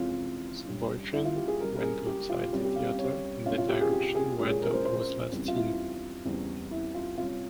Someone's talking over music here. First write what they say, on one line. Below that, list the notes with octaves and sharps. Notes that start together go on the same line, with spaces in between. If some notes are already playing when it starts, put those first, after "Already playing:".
The boyfriend went outside the theater in the direction where Dodd was last seen.
Already playing: F2 C3 E3 G#3 C#4 F4
G2 G3 C#4
E4
F4
G4
G#4
C#2 C#3 G3 A#4
A#4
G#4
G4
F4
C2 C3 G3 C#4
G4
F5
C#5
C2 A#2 G3 C#4 F4
F4
G4
G#4
G4
G#4
A#2 G#3 C#4 G4
G#4
A#4
C5
C5
E2 C#3 G3 C4
F4
E4
E2 C#3 G3 C4
E4
F4
C3 G3 C#4 F4